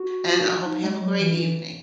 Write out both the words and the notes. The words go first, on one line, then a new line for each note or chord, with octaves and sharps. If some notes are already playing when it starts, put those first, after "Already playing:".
and I hope you have a great evening.
Already playing: F#4
D#4
G#3
F#3
E3
E3